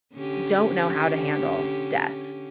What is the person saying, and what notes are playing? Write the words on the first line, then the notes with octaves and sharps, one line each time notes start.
don't know how to handle death
D3 C#4 G4